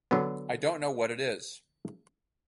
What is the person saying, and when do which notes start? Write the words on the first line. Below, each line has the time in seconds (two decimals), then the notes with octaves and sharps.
I don’t know what it is.
0.11 D3 F#3 B3